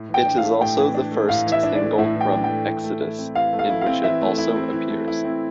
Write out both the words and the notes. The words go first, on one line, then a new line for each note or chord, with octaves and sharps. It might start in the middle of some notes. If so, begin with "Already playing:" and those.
It is also the first single from "Exodus", in which it also appears.
Already playing: A2
E3 G5
D4
F5
A3
A2 G5
E3
D4
A3
A2 F5
E3
E5
D4
D5
A3
A2 E5
E3
G5
D4
G5
A3
E3
A3
E4
C4
E3 F5
A3
F5
E4
F5
C4
E3 E5
A3
E4
C4
E3
A3
E4
C4